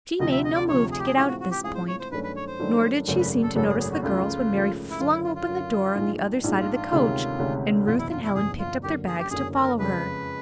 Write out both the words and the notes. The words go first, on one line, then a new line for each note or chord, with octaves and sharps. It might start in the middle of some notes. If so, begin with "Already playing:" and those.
She made no move to get out at this point, nor did she seem to notice the girls when Mary flung open the door on the other side of the coach, and Ruth and Helen picked up their bags to follow her.
D2 C3 F3 D#5
E5
D#5
D5
D2 C3 F3 C#5
G#4
G4
G#4
A2 E3 G#3 C4 F4 G4
F#4
F#4
G4
A2 E3 G#3 C4 F4 G#4
C5
C#5
C5
G2 D#3 F#3 A3 C#4 B4
B4
C#5
C5
G2 D#3 F#3 A3 C#4
G#1 F#2 C#3 F#3 A3 C5
B4
A4
G#1 F#2 C#3 F#3 A3 A4
G#4
G#4
F#4
C#2 C#3 F3 A3 F4
C#2 C#3 F3 A3
E4
F#2 D3 F#3 F4
E4
F4
F4
F#2 D3 F#3
A#1 G#2 F3 G#3
A#1 G#2 F3 G#3
F4
F4
D2 C3 D#3 G#3 C#4
D2 C3 D#3 G#3 C#4
F#1 E2 B2 F4
E4
F4
E4
F#1 E2 B2 G#4
F4
F#1 F#2 D3 F#3 G4
G#4
G4
F#1 F#2 D3 F#3 G#4
A#4
F2 C#3 F3 G#3 B4